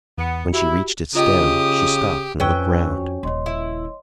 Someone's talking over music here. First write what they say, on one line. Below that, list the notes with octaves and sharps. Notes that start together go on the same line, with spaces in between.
When she reached its stem, she stopped and looked round.
E2 B3 C#7
E4 F#4 G4
C#3 F4 G4 D#5 D#6
F2 C#4 B4 G5 E6 F#6
F#4
D#1 C#3 C#5 D#5 C6
E4